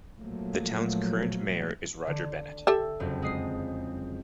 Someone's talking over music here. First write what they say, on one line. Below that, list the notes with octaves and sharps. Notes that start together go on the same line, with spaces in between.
The town's current mayor is Roger Bennett.
A#2 F3 F#3 A3 A#3
D3
G4 A4 E5
F#1 F2 F#3
G#3 D#6 C7